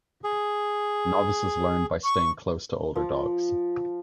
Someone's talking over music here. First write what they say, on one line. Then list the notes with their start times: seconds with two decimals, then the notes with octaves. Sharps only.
Novices learn by staying close to older dogs.
0.24 G#4
2.03 C#6
2.95 F3